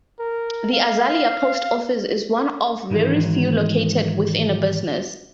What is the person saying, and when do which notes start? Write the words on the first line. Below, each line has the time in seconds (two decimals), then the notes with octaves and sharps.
The Azalia post office is one of very few located within a business.
0.19 A#4
0.73 F5
2.90 G#2 D#3 E3 F#3 G#3